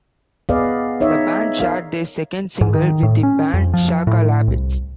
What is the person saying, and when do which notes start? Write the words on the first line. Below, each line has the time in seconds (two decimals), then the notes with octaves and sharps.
The band shared their second single with the band Shaka Labbits.
0.49 B3 G#4 B4 D5 D#5 F5
1.00 D#4 C#5 D#5 E5
1.60 A#4 F5
2.61 G#2
2.75 D#3
3.03 A2
3.23 C#4
3.54 F2
3.74 F3
4.07 A2
4.48 C2